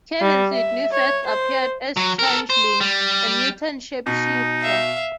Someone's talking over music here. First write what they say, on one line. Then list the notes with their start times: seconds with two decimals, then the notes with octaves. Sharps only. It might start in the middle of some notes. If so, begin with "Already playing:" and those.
Kevin Sydney first appeared as Changeling, a mutant shapeshifter.
0.21 G3
0.53 E5
0.92 C#5
1.27 C5
1.97 F#3
2.19 A4 A#4
2.50 C5
2.80 G3
4.06 B2 D#4
4.61 E5 F5